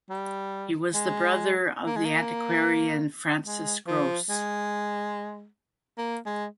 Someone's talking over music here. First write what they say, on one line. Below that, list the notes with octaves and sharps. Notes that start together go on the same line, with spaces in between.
He was the brother of the antiquarian Francis Grose.
G3
G#3
A#3
G#3
A#3
G#3
F3
G#3
A#3
G#3